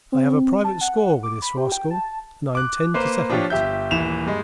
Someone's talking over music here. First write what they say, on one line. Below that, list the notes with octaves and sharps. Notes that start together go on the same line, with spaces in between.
I have a private score with this rascal, and I intend to settle it.
C4
A5
F#5
D6
B5
G4
G5
A5
D6 F#6
A#3 B4 C5
F3 D4 F4 G4 C#5
G1 G4 E5 G6
D#1 E3 E7 F7
G2 G#3